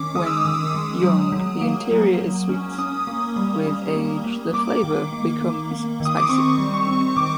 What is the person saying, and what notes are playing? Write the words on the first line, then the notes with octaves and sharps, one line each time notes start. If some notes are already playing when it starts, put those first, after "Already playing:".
When young, the interior is sweet, with age the flavor becomes spicy.
Already playing: D#3 C#4 D6
G#3 D#6
E6
D#6
D#3
G#3
F#3
F#3
A#3
F#3
F#3
C#4
C#4 D#6
A#3
G3
G3
A#3
A#3
A#3 D6
D#3
A#3
A#3
A#3
D#3
D#6
D6
C4 C#6
G3
C#6
C4
D#3 D6